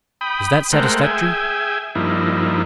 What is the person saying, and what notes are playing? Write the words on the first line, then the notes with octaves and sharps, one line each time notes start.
Is that satisfactory?'
G5 B5 D#6
G#3 A3 A#4 C5 F#5 G5
G#4 E5 G5 G#5
G2 F3 A#3 D#4 E4